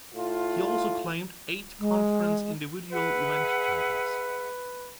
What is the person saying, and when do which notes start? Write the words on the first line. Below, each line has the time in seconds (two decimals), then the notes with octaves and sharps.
He also claimed eight conference individual event titles.
0.15 A2 F4
1.79 G#3
2.92 G#4 B4 E5 F#5